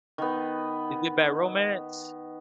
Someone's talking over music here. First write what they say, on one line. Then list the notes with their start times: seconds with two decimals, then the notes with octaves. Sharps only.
is it Bad Romance?
0.18 D#3 B3